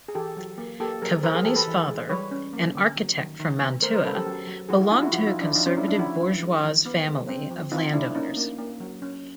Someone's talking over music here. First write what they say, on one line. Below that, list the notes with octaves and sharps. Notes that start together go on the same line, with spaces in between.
Cavani's father, an architect from Mantua, belonged to a conservative bourgeois family of landowners.
G#4
E3 G4 A4
F#3
A#3
A#3 G4 A4
F#3 G#4 A#4
E3 A#4 C5
G#4 A#4
E3 G4 A4
A4 B4
E3
G#3
G3 B4 C#5
C#4
A#3
D3
F#3
D#3
D#3
B3
A3 A#4 C5
A#4 C5
C#4 A4 B4
G4 A4
F#3
F#3
F3 F#4 G#4
E4 F#4
C#4 D#4 F4
E4 F#4
F3 E4 F#4
D#4 F4
F3
D4 E4
F3 D#4 F4
C#4 D#4
A3 D4 E4
D4 E4
F3 E4 F#4
F3
G#3
E3
B3
G#3
C4
F3
C4 D#4 F4
A3 D4 E4
A#3 C#4 D#4
A#3
A#3
F#3
C#4